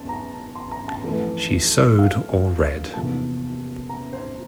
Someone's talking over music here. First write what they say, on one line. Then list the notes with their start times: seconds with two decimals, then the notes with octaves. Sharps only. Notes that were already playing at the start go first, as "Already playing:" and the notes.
She sewed or read.
Already playing: E2 A5
0.09 A#5
0.55 C6
0.72 A#5
0.88 A5
1.04 F2 E3 A3
1.99 F5
2.94 E2 C3 F3 A#3 A5
3.89 A#5
4.13 C5